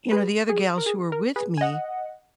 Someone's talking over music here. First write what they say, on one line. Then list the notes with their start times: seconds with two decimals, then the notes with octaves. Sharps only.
you know, the other gals who were with me
0.11 G#4 B4
0.49 G#4
0.78 A#4
0.86 G#4
1.12 A#4
1.36 G#4 B4
1.57 G#5
1.61 D#5 F#5